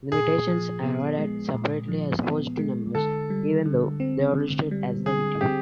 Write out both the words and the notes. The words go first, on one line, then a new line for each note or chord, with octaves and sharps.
Limitations are added separately as positive numbers, even though they are listed as negative.
A#2 G#4
F3
B3
G#3
A#2
F3
B3
G#3
D3 A4
G3
D3
C4
D3
G3
D3 G#4
C4 G4